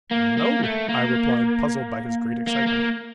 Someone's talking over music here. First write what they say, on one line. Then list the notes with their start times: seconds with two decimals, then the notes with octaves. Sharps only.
"No," I replied, puzzled by his great excitement.
0.11 A#3
0.37 A#3
0.64 A3
0.89 A#3
2.47 A#3
2.67 A#3